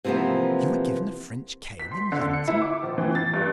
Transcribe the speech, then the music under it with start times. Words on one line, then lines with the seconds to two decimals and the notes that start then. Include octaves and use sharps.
"You were given a French cane in London!"
0.04 C3 E3 F3 A#3 B3
1.79 B6
1.92 C6
2.12 D3
2.33 C#7
2.48 E4
2.62 D6
2.83 A#1
2.98 E3
3.15 A6
3.34 G2